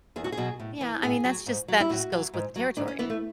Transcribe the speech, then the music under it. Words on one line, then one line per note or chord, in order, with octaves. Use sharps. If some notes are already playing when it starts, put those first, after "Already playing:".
Oh. Yeah, I mean, that's just that just goes with the territory.
E2 G#4
F#4
G#4
B2 F#3
A2
E3
A2 G#4
F#3
G#2
F#3
E4
A2 F#4
F#3
G#2
F#3
G#2 D4
C#4
E3 B3
A3